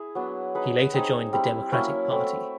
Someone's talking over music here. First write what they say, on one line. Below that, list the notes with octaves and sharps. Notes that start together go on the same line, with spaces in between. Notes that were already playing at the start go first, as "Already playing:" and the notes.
He later joined the Democratic Party.
Already playing: E4 G#4
F#3 B3 D4
D#4 G#4 B4
C4 D#4 G#4
G3 C4 E4
F#3 A#3 C#4 E4
A3 C4 E4